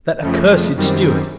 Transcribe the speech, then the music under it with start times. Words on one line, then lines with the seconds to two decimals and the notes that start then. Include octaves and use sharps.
That accursed steward!
0.22 F2 C#3 F3 A3
0.76 F#2 D#3 G3 C4